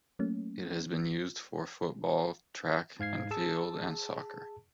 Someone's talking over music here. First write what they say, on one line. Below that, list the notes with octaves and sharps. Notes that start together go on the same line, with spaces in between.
It has been used for football, track and field, and soccer.
F#3 A3 A#3 C#4
G#2 F5 G#6 C7
G#4 A5 E6